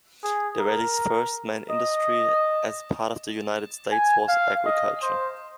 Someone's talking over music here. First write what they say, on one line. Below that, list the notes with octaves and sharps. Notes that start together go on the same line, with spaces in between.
The valley's first main industry as a part of the United States was agriculture.
G#4
A#4
D#5
G#5
F5
D#5
C5